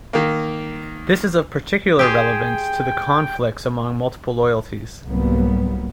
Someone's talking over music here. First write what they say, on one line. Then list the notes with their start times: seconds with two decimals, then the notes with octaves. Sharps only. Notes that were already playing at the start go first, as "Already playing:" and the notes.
This is of particular relevance to the conflicts among multiple loyalties.
0.13 D#3 A#3
1.99 G4 G#4 C5 G5
5.06 C2 G#2 F#3 G3 A#3 B3